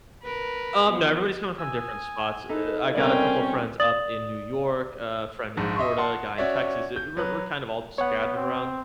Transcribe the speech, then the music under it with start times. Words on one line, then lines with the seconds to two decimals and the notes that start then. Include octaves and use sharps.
Um, no, everybody's coming from different spots, e eh, I got a couple friends up in New York, a friend in Florida, a guy in Texas; eh, we're we're kind of all scattered around.
0.24 A#4 B4
0.91 F3 B3
1.58 G#5 D#6 E6
2.49 D#4 E4 A4
2.95 B2 G3 C4 C#4 A#4 D5 G5 G#5
3.80 D5 D#6 A6 F#7
5.57 A#1 G#2
5.76 D#5 E5 C6 C#6
5.98 F#5 A5 C6
6.38 C#4 F#4 C#5 D5 E5
6.96 G6
7.17 F#3 B4 F#6
7.98 B3 C#5 F#5
8.37 C4